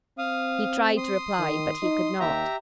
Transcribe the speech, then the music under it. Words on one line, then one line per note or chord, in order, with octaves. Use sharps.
He tried to reply, but he could not.
C4 F5 D#6
C6 D#6
D#3
D#4
D#2 G4 E5 A#5